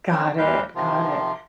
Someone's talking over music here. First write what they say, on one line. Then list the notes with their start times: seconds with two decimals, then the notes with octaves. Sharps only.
Got it. Got it.
0.11 C4 C#4
0.38 D#2 A#2 G3 B4 F5 G6
0.75 C3 D#3 F3 F4